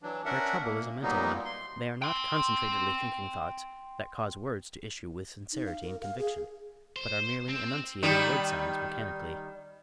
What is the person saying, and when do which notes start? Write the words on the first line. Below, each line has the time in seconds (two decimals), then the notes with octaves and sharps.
Their trouble is a mental one--they are not concentratedly thinking thoughts that cause words to issue with sincerity and conviction, but are merely enunciating word-sounds mechanically.
0.03 E3 F#3 D4
0.25 C#4 D4 A#4 E5 F#5
0.61 A#3
1.02 A#2 F#3 G3 A#3 B3 D#4
1.45 C6
2.02 G5 C6
5.53 D#4
5.66 F5
5.82 A#4
6.02 F5
6.18 G#4
6.96 C5
7.49 C4
8.03 D#3 G3 D#4